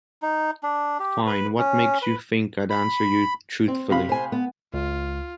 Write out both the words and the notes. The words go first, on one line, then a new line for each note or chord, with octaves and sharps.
Fine, what makes you think I'd answer you truthfully?
D#4
D4
G4
B4
C#4
B4
B5
C4
C3 F5 B5
C5 G#5
B3
C#2 F4